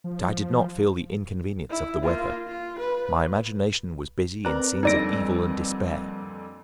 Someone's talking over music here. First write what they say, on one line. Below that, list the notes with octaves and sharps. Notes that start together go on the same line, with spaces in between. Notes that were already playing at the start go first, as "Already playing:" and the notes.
But I did not feel the inconvenience of the weather; my imagination was busy in scenes of evil and despair.
F3
E4
A#3 F4
F4
B4
C4 A#4 B4 D5 F#6
F2 A#2 D3 G3 D#4 D5 A#6 D7